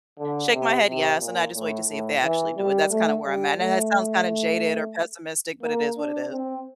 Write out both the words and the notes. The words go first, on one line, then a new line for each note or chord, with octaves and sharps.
shake my head "Yes," and I just wait to see if they actually do it, that's kinda where I'm at, and that sounds kinda jaded or pessimistic, but it is what it is.
D3
C3
C3
A#2
A2
A2
E3
G3
A3
G3
A3
A#3
D4
C4